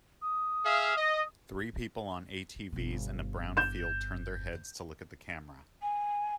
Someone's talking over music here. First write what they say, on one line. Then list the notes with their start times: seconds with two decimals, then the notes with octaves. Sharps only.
Three people on ATVs in a brown field turn their heads to look at the camera.
0.22 D#6
0.65 G#4 E5 F5
0.97 D#5
2.73 G1 B2
3.57 G6 E7
5.82 G#5